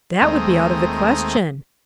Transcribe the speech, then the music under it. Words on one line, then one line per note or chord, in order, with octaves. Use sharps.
"That would be out of the question."
D#2 G#3 A3 C4 A#5 D#6